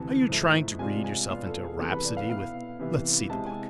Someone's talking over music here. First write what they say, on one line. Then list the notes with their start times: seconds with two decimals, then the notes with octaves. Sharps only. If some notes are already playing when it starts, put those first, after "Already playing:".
"Are you trying to read yourself into a rhapsody with--let's see the book."
Already playing: D2 C3 E3 A5
0.29 G#2 F3 A3 E4
0.79 C3 G#3 D4 F4 G#5
1.04 G#5
1.29 B2 B3 D4 F4 F5
1.46 A4
1.63 G#4
1.79 C3 E3 B3 A4
1.91 B4
2.04 D5
2.17 F5
2.29 B2 B3 E4 F5
2.80 C3 E3 B3 E4
3.29 C3 G#3 C4 E4 A5
3.47 G#5